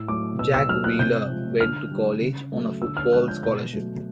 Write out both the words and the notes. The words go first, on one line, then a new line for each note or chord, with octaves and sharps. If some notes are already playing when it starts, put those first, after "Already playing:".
Jack Wheeler went to college on a football scholarship.
Already playing: A2 E6
F#3 A3 D6
B2 E6
E6
F#3 A3 F6
F#6
C3 G6
F3 G#3
D3 F6
G3
C#3
F#3 A3
D3 E6
F6
F3 G#3 F#6
G6
B2 G6
F#3 A3